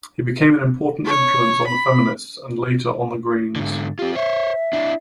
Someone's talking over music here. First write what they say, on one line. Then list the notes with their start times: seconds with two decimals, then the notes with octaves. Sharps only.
He became an important influence on the feminists and later on the Greens.
1.06 C#5
1.68 B5
3.56 G#2 D3
3.99 C4 F4 G4
4.15 C5 C#5 E5
4.73 D4 E4